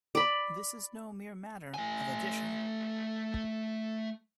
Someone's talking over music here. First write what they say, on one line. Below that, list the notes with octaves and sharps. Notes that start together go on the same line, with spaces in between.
This is no mere matter of addition.
D5 B5
A3 G#5